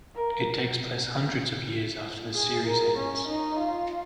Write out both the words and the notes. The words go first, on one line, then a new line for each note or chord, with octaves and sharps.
It takes place hundreds of years after the series ends.
A#4
G#4
A#4
C#4
D#4
F4